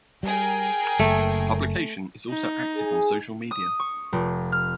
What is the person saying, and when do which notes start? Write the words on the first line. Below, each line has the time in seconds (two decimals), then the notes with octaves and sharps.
The publication is also active on social media.
0.23 G3 G#4 A#4 G5
0.99 F#1 A3
2.29 D#4
2.76 G#4
3.51 D#6
3.80 C#6
4.12 F1
4.52 F6